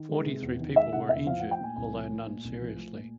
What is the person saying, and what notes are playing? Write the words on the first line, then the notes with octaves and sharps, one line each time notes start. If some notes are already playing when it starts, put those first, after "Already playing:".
Forty-three people were injured although none seriously.
Already playing: D#3
G#3
C3
E2
D#3
G#3 E5
C3 F#5
E2 E5
F3 F5
A3 F#5
G5
A#2 G#5
C2 G#5
F3
A3
A#2
C2
F3
A3
A#2